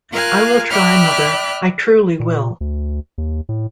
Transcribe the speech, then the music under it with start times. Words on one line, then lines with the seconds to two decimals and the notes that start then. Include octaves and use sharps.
I will try, mother; I truly will.
0.12 F4 A#4 F5 G#5 F#6
0.70 D5 E5 G5 B5 F6 F#6
2.20 A#2
2.61 D2
3.18 D#2
3.49 A2